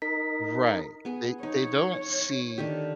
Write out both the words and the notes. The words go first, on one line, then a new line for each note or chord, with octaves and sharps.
Right, they they don't see
D#4 A#4 B6
B3 G#4
D#4 C#5
D3 D#3 G4